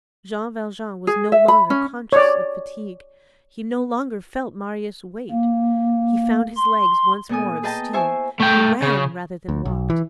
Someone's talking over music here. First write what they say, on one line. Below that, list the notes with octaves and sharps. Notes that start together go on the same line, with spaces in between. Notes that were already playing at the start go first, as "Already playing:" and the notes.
Jean Valjean was no longer conscious of fatigue, he no longer felt Marius' weight, he found his legs once more of steel, he ran rather than walked.
G#4
E5
B5
C#4
C#5 D5
A#3
C6
A#2 B3 A4 G#5 D#6
G#4 B4 D#5 G5 A5 A#5
E4 C5 E5 G#5 C#6
A3 G5
C#3
D2
B1
E3